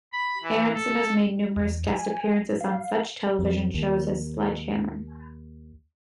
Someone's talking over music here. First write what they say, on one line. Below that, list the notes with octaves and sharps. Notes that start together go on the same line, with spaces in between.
Aronson has made numerous guest appearances on such television shows as Sledge Hammer!
B5
E3
A4
E2
G#5
F5
F2
D#2